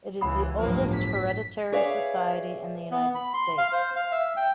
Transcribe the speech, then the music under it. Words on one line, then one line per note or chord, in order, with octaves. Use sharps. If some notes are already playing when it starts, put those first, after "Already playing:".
It is the oldest hereditary society in the United States.
C#2 E3 F#5 B5 D#6
G1 A2 F3 F#3 A#3 B4 C5
B6
G#4 B4 C#5 D5 E5 F5
B3
B5
C6
F5
C5
F5
E5
G5